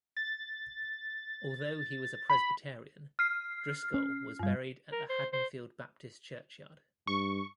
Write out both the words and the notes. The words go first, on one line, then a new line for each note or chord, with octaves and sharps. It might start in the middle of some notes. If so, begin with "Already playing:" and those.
Although he was a Presbyterian, Driscoll was buried at the Haddonfield Baptist Churchyard.
A6
B5
F6 C7
C#4
G2 G3
A#4
C5
C5
G2 C#6